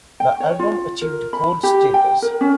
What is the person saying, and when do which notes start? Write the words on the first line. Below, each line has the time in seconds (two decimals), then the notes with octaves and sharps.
The album achieved gold status.
0.20 G5
0.40 C#5
0.59 F4
1.02 A#4
1.33 B5
1.63 G4
1.94 G5
2.22 A#4
2.41 C#4